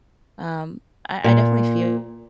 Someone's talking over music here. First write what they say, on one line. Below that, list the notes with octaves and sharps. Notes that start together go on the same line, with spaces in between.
um, I I definitely feel
A#2